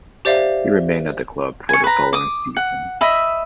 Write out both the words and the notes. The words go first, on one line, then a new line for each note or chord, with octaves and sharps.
He remained at the club for the following season.
G4 C5 D5 E5 F5
G#5 C#6
B4 A#5
D6 D#6
F#5
D#5 E5 B5